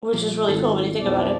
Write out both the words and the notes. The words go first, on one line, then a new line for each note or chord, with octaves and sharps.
Which is really cool when you think about it.
A#2 F3
G#1 G#3 E4 F4 A4
B1 F2 F3 D5